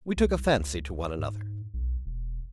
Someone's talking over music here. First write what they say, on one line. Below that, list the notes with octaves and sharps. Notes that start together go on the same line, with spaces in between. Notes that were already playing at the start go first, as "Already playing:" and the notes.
We took a fancy to one another.
C2
C#2
G#2
B1
E1